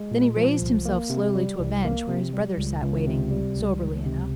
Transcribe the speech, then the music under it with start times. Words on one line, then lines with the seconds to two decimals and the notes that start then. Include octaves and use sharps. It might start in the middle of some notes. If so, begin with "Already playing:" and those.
Then he raised himself slowly to a bench where his brothers sat waiting, soberly enough.
Already playing: G#3
0.11 A#2
0.36 F3
0.62 C2
0.85 A#3
1.10 C3
1.35 G3
1.59 C2
1.85 A#3
2.08 C3
2.33 G3
2.58 C#2
2.82 C#2
3.07 C3
3.31 G3
3.56 C#2
3.81 C#2
4.06 C3